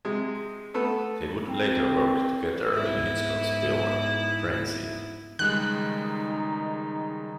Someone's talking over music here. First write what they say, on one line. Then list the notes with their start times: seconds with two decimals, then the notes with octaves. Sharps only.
They would later work together in Hitchcock's film "Frenzy".
0.05 C3 G#3
0.74 A3 B3 A4
1.47 C4
2.70 G#2 B3 E4
5.39 C#2 D#3 G3 G#3 D#4 F#6